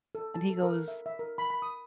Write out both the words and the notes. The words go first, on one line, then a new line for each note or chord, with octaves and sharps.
And he goes
A4
A5
A4
A#4
E5
E5
A#4
B5
B5
D#6